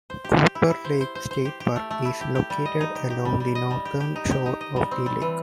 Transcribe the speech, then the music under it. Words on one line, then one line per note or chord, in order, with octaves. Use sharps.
Cooper Lake State Park is located along the northern shore of the lake.
C5
G4
G4
E4
E4
C5
C5
C5
C5
G4
G4
A3
A3
E4
G4
G4
G3
D#5
D#4
G4
G4
G3
G3
D#5
G3
G4
G4
D#4
G4
D#4
D#5
G3
C4
G3
E3